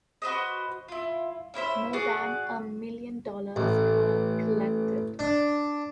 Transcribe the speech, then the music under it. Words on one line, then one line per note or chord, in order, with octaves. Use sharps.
More than a million dollars were collected.
F#4 B4 C5 D#5
E4 F4
C#4 E4 C5 E5
F#4 G#4 D5 F#5
A1
D4